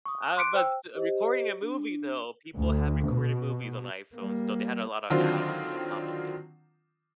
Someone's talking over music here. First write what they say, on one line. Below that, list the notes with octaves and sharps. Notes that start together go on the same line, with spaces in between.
I have a bunch uh Recording a movie though people have recorded movies on iPhones, though they had a lot of add ons on top of it.
C#6 D#6
C6 D6 F#6 B6 C#7 D7
C5 G5 E6
G4 C5 D#5
D4
D2
B2
G3 A#3
D3 D#3 F#3 C4 D4 F4